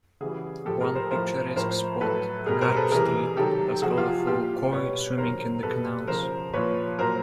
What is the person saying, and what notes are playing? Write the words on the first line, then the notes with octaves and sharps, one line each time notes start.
One picturesque spot, "Carp Street", has colorful "koi" swimming in the canals.
C#3 E3 G3 F#4 G#4
A2 F3 G4 A4
G#4 A#4
A#4 C5
A2 F3 A#4 C5
A2 F3 A#4 C5
A2 F#3 A4 B4
B2 G3 G#4 A#4
A#4 C5
A4 B4
C3 E3 G3 G#4 A#4
C3 D#3 F#3 G4 A4
C3 F3 F#4 G#4
F4 G4
A#2 G3 F4 G4
B2 G3 B4 C#5
C3 D#3 F#3 A#4 C5
B2 G3 A4 B4
C#3 F3 A#4 C5
A#2 F3 B4 C#5
A#2 F#3 A#4 C5